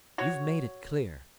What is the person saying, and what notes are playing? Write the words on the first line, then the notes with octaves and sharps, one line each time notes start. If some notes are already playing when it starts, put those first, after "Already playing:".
You've made it clear.
F#4 C#5